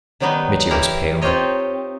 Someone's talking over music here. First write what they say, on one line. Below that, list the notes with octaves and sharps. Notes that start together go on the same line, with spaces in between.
Mitya was pale.
D#3 F#3 G3 B3 D#4 B4
E3 E4 G4 A#4
C4 D#4 F4 G4 C#5 D#5